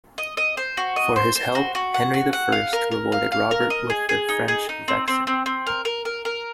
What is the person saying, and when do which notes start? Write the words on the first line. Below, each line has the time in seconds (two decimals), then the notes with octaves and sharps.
For his help Henry the First rewarded Robert with the French Vexin.
0.18 D#5
0.37 D#5
0.57 C5
0.77 F#4
0.96 D#5
1.16 C5
1.35 C5
1.55 F#4
1.75 F#4
1.94 F#5
2.14 F#4
2.33 F#5
2.52 F5
2.73 A#4
2.91 A#4
3.12 F5
3.32 F5
3.51 A#4
3.70 D#5
3.90 G#4
4.09 G#4
4.29 D#4
4.48 G#4
4.69 D#4
4.88 C4
5.08 C4
5.27 C4
5.46 C4
5.67 A#4
5.85 A#4
6.05 A#4
6.25 A#4